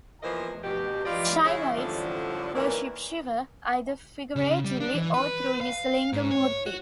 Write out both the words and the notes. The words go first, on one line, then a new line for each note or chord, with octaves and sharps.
Shaivites worship Shiva, either figuratively, or through his Lingam murti.
E2 E3 F3 A#3 C5 D#5
G2 B2 G4
E4 F4 G4 B4 D5 D#5
C#3 E4
F#2 A2 D3 F3 G3
D#3 E3 A#3 C#4 C#5 D5
C#3
G3
D4
E3
B4
F5
G#2
C#5
F#4